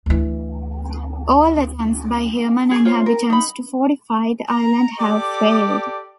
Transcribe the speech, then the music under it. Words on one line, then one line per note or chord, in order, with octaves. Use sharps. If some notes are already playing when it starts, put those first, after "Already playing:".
All attempts by human inhabitants to fortify the island have failed.
D2 E3
G#4
F4 C5 C#5
A#4
D#4 B5
A#5
G4 A4 D5 D6